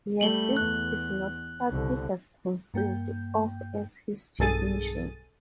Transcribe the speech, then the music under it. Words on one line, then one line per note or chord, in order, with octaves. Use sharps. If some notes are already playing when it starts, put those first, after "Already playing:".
Yet this is not what he has conceived of as his chief mission.
G3 A3 F#7 G7
E2 F#6
C2 D3
G2 A#3 G5 G6
B1 G2 G#4 A4 A6 D#7